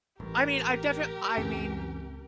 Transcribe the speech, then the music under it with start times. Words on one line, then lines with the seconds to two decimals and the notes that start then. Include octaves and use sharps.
I mean, I def I mean,
0.20 A1 G3 G4 A#4
1.37 C#2 F#2 E3 C4 C#4